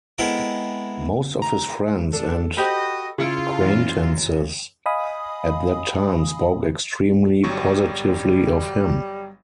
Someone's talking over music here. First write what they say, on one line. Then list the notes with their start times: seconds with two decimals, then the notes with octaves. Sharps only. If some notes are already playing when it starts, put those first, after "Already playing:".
Most of his friends and acquaintances at that time spoke extremely positively of him.
0.18 G#3 B3 C4 E4 A4 A#4
1.42 A#5
2.13 D4 A4
2.57 F#4 G4 C5 D#5 B5
3.18 C#3 E4 F4 G#4 C#7 D7
3.61 F#2 E3
4.86 D#5 F5 G#5 B5 D#6
7.44 G1 F#3 G3 C#6